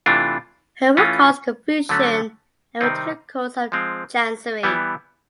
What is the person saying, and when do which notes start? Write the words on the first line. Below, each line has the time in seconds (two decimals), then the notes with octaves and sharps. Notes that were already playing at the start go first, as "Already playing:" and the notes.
Her will caused confusion and went to the courts of chancery.
0.06 C3 E3 A3 D4 F4
0.97 E3 A3 C#4 F4
1.89 D3 F#3 A3 C#4
2.81 C3 D#3 G3 C4 D#4
3.72 F3 G#3 C4
4.63 E3 G3 B3 E4